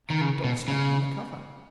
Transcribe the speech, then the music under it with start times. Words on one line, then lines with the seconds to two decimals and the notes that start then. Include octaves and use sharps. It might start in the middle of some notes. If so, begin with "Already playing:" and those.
An endorsement on the cover!
0.10 D#3
0.21 C#3
0.44 B2
0.68 C#3